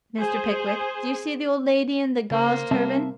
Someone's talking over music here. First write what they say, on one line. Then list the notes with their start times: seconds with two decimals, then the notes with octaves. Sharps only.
Mr. Pickwick, do you see the old lady in the gauze turban?'
0.19 G#4 C5
2.31 C#3 A#3 C5
2.71 C3 G3 C4 E5 A5